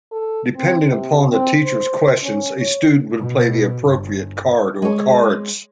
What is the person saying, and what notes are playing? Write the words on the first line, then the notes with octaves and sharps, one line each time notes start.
Depending upon the teacher's questions a student would play the appropriate card or cards.
A4
C4
C3
C4
C5
C#4
C#5
B2
G1
G#3 C#5